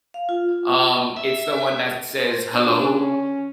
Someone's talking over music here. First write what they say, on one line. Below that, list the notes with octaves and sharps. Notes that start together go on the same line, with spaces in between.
um, it's the one that says, "Hello,
F5
F4
E5
C5
D4
C#4